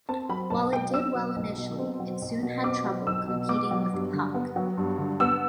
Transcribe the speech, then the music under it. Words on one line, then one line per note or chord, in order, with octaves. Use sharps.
While it did well initially, it soon had trouble competing with "Puck".
C4 A5
F#3 B5
B1 A5
B2 G5
C4 E6
F#3
B1
B2
C4
F#3
B1
B2
C4 D6
F#3
B1 E6
B2
B3 D6
F#3
G2
D3
B3
F#3
G2
D3
B3 E6